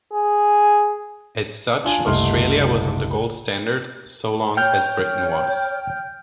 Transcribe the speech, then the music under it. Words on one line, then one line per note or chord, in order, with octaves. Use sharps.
As such Australia was on the gold standard so long as Britain was.
G#4
D4 F4 G#5 G7
F#1 C2 A3 D#5 C6 F6
C#5 G5 F6 G6